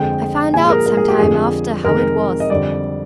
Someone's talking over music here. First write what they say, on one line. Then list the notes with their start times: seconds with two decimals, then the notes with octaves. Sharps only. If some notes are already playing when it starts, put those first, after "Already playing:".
I found out, some time after, how it was.
Already playing: F2 D3 G#3 G5
0.53 A#2 F3 G#3 G#5
0.65 G#4
0.70 A#4
0.86 A#4
0.97 G#4
1.08 G4
1.19 F2 D3 F3 G#3 G#4
1.85 F2 C3 D#3 G#3 A#4
2.40 D#5
2.50 F2 D3 G3 D5